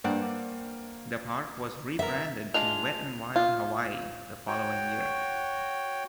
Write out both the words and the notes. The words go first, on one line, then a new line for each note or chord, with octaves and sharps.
The park was rebranded to Wet'n'Wild Hawaii the following year.
G2 A#3 C5 D5 F#5
B3 A#4 E5
G#3 D4 F4 F7
F4
F#4 C#5 G5